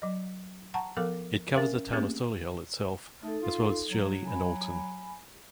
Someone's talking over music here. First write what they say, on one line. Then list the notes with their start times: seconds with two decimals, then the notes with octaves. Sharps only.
It covers the town of Solihull itself, as well as Shirley and Olton.
0.02 F#3 D#5
0.74 F#5 A5 A#5 C#6
0.97 F3 B3 A4 A#4 F5 D6
1.54 C#4 A#4 E5 F5
1.93 A3 A#3 C4 C#4 G4 G#4
3.23 A3 D#4 A4
3.43 F4
3.91 F#3
4.25 G#5 B5